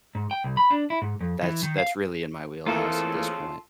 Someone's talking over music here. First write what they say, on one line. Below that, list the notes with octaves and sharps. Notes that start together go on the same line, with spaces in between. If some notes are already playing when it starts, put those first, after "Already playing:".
That's that's really in my wheelhouse at this point.
G#2
G5
C2
B5
D4
E4
G#2
F2
E3
D#3
F5
F2 C#3 E3 A3 A#3 F4 A4